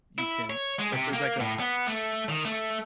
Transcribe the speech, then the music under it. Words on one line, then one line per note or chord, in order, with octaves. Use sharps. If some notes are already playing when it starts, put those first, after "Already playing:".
you can, or if there's like a
E4
C#5
G#3
C3
A#3
A2
B3
A3
D#3
A3